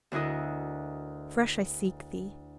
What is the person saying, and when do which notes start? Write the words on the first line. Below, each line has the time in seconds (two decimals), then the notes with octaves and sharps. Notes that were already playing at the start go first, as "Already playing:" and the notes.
Afresh I seek thee.
0.12 D2 D4 E4 A#4 D#5